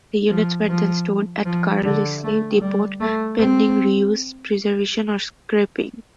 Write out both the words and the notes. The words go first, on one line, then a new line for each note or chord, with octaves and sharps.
The units were then stored at Carlisle depot pending reuse, preservation or scrapping.
F3
F3
F3
D3
A3
G3
A3
C4